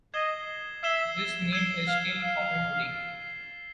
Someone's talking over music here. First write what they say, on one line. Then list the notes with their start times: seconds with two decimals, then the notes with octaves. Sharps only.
This name is still common today.
0.14 D#5 E6 G#6 C7 E7 G7
0.83 E5 E6 G#6 C7 E7 G7
1.52 E6 G#6 C7 E7 G7
1.87 F5
2.22 F5 E6 G#6 C7 E7 G7
2.91 A6 C7 E7